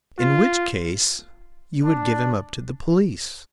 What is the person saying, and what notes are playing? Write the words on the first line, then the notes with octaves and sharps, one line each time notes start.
"In which case you would give him up to the police."
F4
D4